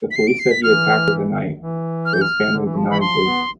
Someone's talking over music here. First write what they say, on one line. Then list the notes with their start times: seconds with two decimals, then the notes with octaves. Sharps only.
The police said he attacked with a knife, but his family denied this.
0.11 B6
0.16 C7
0.27 D7
0.39 C7
0.51 B6
0.62 E3 F6
1.59 E3
2.05 F6
2.13 G6
2.21 F6
2.53 D3
2.65 E3
2.77 F3
2.89 E3 B5
3.00 F3 C6
3.24 B3